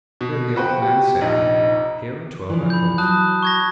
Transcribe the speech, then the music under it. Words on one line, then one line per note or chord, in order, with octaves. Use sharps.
Then the old man said, 'Here are twelve apples.
B2
F3 F#4 B4 G5
G4
F1 A#1 D#4
E3 F3 D4
B5 G6
F#3 A5 D#6 F#6
C#6 G#6 A#6